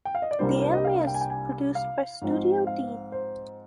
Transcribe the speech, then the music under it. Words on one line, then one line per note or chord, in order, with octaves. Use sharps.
The anime is produced by Studio Deen.
G5
F5
D#5
D5
C2 C3 G3 A#3 D4 C5
A#4
C5
D#5
F5
G5
G#5
G5
G#5
F5
G#2 F3 C4 D#4
F5
C5